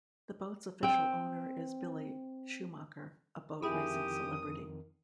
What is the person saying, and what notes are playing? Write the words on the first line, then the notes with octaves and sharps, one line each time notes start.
The boat's official owner is Billy Schumacher, a boat racing celebrity.
C4 G5
F2 D#3 E4 G4 G#4 D#6